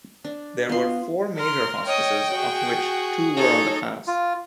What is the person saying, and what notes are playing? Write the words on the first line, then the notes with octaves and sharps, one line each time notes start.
There were four major hospices, of which two were on the pass.
D4
B3 F4 C6
A#4 C6 F6
C#5 D#5 G5
F#4 G#4
D#4 A4 C#5
F4